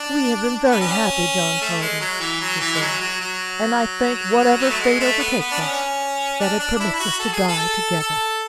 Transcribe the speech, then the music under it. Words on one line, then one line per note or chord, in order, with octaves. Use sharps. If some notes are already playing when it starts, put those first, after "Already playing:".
"We have been very happy, John Carter," she said, "and I thank whatever fate overtakes us that it permits us to die together."
Already playing: D4
B3
C#4
A3
G#3
F#3
E3
F#3
E3
G#3
F#3
F#3
F#3
B3
A3
G#3
A3
B3
B3
D4
C#4
D4
D4
D4
E4
E4
F#4
A4
G#4
A4
A4